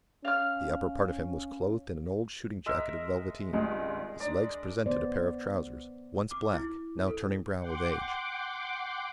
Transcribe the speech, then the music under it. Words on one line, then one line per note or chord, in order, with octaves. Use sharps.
The upper part of him was clothed in an old shooting jacket of velveteen; his legs presented a pair of trousers, once black, now turning brown with age.
C#4 F5 F6
G#3 A#4 E5
G#1 C#2 G2 G#3
D4 D5 A#5
B3 C5 D5
D6
E4
A4
F#5 G5 C6 D6